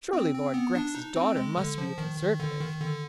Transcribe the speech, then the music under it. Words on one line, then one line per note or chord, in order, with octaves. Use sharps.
"Surely Lord Grex's daughter must be a Conservative."
C4
C4
B3
D4
D#4
C4
G#3
D3
F3
D#3
D#3
D3
D#3
D3